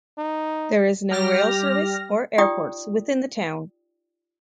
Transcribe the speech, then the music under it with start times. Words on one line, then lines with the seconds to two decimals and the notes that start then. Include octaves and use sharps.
There is no rail service or airports within the town.
0.18 D#4
1.11 G3 G4 F6 A#6
2.38 D#4 F4 G4 D5 G5 D#6